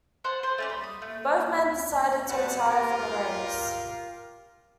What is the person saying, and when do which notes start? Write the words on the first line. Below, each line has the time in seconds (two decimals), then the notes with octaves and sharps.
Both men decided to retire from the race.
0.24 C5 F#5 A5
0.43 C5
0.58 A3 C#4 D5
0.70 B5
0.84 D#6
1.02 A3
2.29 G3 C4 F#4 B4 F#5 A5
2.65 F4 G4 A#4